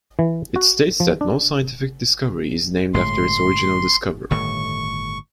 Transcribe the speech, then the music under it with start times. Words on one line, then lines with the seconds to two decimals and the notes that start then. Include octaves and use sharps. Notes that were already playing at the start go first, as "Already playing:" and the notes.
It states that no scientific discovery is named after its original discoverer.
0.19 E3
0.56 F#4
1.00 F3
1.21 D4
2.94 G1 A2 G#3 C6
4.31 G1 A2 D#3 C#6